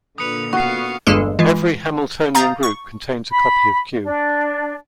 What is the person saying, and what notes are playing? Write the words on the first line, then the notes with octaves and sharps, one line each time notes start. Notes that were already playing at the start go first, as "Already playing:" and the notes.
Every Hamiltonian group contains a copy of Q.
A#2 D3 B4 D#6 C#7 F7
B3 F#4 F5 C#6 C7
G1 E2 G2 G#3 A#3 A4
E3 G#3 F4
F5 A#5 D#6 G6 A6
C#6
B5
D4